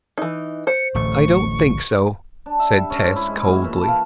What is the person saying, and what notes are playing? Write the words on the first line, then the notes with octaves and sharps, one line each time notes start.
"I don't think so," said Tess coldly.
E3 D#4
C5 C#7
D1 A1 A3 C#6
D4
E5
G3
C#4
G#2
E4
G#3
A#2
E3
A5
F5